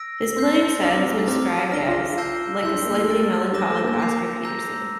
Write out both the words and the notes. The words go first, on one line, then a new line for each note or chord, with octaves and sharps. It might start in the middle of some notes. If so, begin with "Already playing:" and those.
His playing style has been described as ...like a slightly melancholic Oscar Peterson.
Already playing: E6 A#6 D7
C4 C6 G6 C7
D4 A#5 D6 F6 C7
C4
A3
C4 A#5 D6 F6
D4 F6 A#6 D7 G7
F4
F4
A5 E6 G6 C7 G7
E4 C6 E6 G6
D4
A#3
A3
A3 C6 F6 A6 D7
G3 D6 G6 A#6 E7 G7
A3
A#3
D6 G6 C7 F7
A#5 E6 G6 A#6